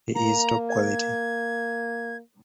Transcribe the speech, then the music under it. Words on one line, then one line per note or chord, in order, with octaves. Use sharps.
He is top quality.
A#3 A#5
G#6